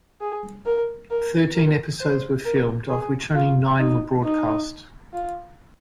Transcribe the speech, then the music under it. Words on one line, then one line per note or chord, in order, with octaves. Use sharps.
Thirteen episodes were filmed, of which only nine were broadcast.
G#4
A#4
A#4
A#4
C5
A#4
G#4
F4
D#4
D#4
F4